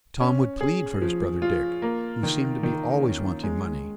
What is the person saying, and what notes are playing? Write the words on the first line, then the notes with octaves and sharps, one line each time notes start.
Tom would plead for his brother Dick, who seemed to be always wanting money.
C#4
G#4
F3
F4
A#3
D#3
D#3
C#4
G#3